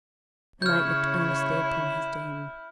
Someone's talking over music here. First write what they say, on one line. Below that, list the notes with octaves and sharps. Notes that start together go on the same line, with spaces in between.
The knight looked earnestly upon his dame.
C#3 E4 C#5 F6 G6